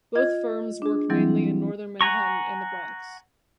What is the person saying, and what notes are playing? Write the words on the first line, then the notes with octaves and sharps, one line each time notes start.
Both firms worked mainly in northern Manhattan and the Bronx.
F4 D#5 G#6
D4 G#4
E3 F#3 G3 C4 E4
F#5 G#5 A#5 C#6